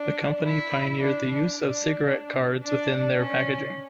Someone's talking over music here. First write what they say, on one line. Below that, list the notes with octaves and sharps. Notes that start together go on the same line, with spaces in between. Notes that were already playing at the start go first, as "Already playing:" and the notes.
The company pioneered the use of cigarette cards within their packaging.
Already playing: D4
E4
D4
D4
D4
C#4